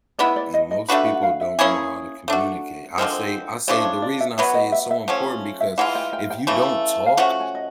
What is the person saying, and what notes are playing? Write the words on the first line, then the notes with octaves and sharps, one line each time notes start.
And most people don't know how to communicate, I say I say the reason I say it's so important because if you don't talk
G#3 B3 E4 D5
D5
D#5
D#5
A3 D4 F#4 B4 G5
F#5
F5
E5
A#3 C#4 E4 G#4
A3 D4 F#4
D3 F3 G#3 C4 A#4
C#3 F3 A3 D4 C#5
C#5
D5
E5
B2 F#3 B3 E5
D#5
E5
E5
F3 A3 C#4 F#5
E5
E3 G#3 C4 F4 F#5
G5
G5
G5
C#3 E3 A3
F5
F3 A3 C#4 F#4 F#5
G#5
D#5